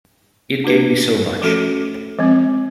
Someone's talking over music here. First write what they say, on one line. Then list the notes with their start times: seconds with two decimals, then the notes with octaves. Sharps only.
It gave me so much.
0.64 A#3 D4 F#4 B4
1.42 F3 A3 C#4 F#4 A4
2.18 F3 G#3 C4